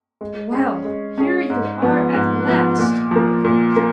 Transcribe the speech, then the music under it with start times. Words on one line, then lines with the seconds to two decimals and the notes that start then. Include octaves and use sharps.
"Well, here you are at last!" he cried.
0.21 G#3
0.52 C#4 G#4
0.85 G#3
1.18 C#4 G#4
1.50 G#2
1.82 F3 B3
2.15 G#2
2.47 F3 B3
2.79 A#2
3.11 F3 A#3
3.44 A#2
3.76 A#3